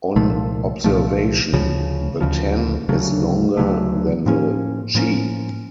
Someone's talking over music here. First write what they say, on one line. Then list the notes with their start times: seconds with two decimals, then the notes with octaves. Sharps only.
On observation, the Ten is longer than the Chi.
0.16 C2 A#2 F3 A3
0.84 C2 A#2 F3 A3
1.53 D2 C#3 F3
2.21 D2 C#3 F3
2.89 D2 C#3 F#3 A3
3.57 D2 C#3 F#3 A3
4.26 A2 F3 A#3 C#4
4.95 A2 F3 A#3 C#4